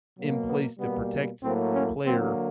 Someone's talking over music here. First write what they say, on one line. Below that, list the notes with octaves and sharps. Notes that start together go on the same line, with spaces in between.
in place to protect a player,
B2 F#3 A#3
B3
B2 G3 A#3 B3
A2 F#3 A#3 C4
C#4
D3 F#3 A#3 C4